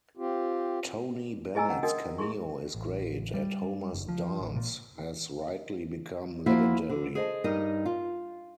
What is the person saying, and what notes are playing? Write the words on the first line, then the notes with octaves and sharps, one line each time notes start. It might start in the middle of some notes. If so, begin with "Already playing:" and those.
Tony Bennett's cameo is great, and Homer's dance has rightly become legendary.
C4 F4 G4
E4 G#4 D#5 G#5 A#5 E6
C#4 F#5 G5
D4 F#4 A#4 D#5 G5 D#6
E4 G#4 C6 C#6
A1
G3
F#1
F3
A1
A#2
F3 A#3 E4 F#4
D3
G#4 C5 D#5 A5
G2 D#4 G4 A#4 D#5
F4